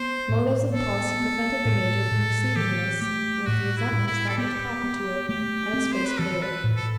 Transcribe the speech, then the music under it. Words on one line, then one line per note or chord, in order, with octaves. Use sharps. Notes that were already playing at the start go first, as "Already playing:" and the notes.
Motives of policy prevented the Major from receiving this with the resentment that was proper to it, and his face cleared.
Already playing: B3 C5
A2
B3 A4
B3
A2
A2
E3 G4
A3 G4
A2 F#4
E4
A2
E4
A4
B3 G4
B3
A3 G4
C4
C5
B4
E3 A4
B4
A2
A4